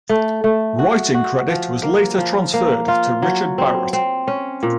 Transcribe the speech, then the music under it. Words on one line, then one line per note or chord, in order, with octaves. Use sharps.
Writing credit was later transferred to Richard Barrett.
A3
A3
F#4
F#4
F3
A#3
F3
A#3
F4
F#3
C4
C4
C#4
A#2